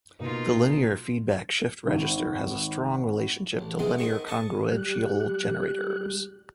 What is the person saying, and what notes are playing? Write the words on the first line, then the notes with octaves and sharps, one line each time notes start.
The linear feedback shift register has a strong relationship to linear congruential generators.
B2 A#3 D#4 F4 A#5
G#1
A1
G#2 C3 G#3 B3 C4
D#3 C4 D#5 C#6
D#5 A5 C#6 D#6
G3 G4 F#6